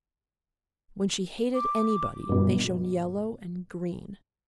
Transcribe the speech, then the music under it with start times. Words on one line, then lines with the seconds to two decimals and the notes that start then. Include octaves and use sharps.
When she hated anybody, they shone yellow and green.
1.55 D6
2.29 G2 B2